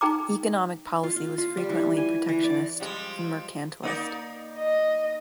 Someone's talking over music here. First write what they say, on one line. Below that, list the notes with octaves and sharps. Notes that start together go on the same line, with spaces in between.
Economic policy was frequently protectionist and mercantilist.
D#4 G#4 G5 A#5 D6
F4
F4
F4
G3
E3
G#5
E3
D5
F3 G3 G#3
A#3 D#4 D5
D#5